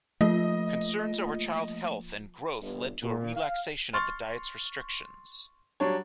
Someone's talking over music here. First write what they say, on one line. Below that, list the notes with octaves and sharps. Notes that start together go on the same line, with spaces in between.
Concerns over child health and growth led to a relaxation of the diet's restrictions.
F3 A3 A#3 F4 D#5
G1
A#2
F5
C6 C#6 F6 A6
F#3 G3 D4 C#5